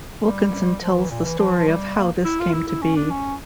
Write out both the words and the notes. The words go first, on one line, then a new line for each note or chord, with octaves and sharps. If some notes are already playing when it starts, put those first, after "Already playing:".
Wilkinson tells the story of how this came to be.
G3
F3
E3
A#2
E3
F3
F3
G3
A#3
E4
F4
E4
E4
C#4
D4
C#4